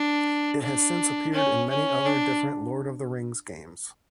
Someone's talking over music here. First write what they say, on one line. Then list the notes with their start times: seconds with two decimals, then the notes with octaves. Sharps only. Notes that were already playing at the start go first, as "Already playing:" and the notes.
It has since appeared in many other different "Lord of the Rings" games.
Already playing: D4
0.61 D4
1.33 C#4
1.70 C#4
2.05 D4